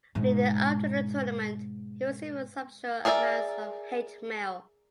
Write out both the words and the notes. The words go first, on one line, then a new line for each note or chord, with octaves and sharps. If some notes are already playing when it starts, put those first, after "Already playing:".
Leading up to the tournament he received substantial amounts of hate mail.
G#2 B2
G#4 A#4 B4 D5 E5